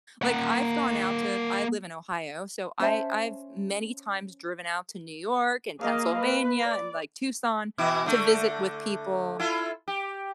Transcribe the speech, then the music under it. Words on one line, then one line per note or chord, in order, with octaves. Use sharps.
Like I've gone out to I live in Ohio. So I I've many times driven out to New York and Pennsylvania and like Tucson to visit with people.
A#3 F#5
C#4 C5 E5 A5
A#3 G#4 D#5 F5
B4
D5
B2 E3 E4
D3 A3
E4 F4 A4
G4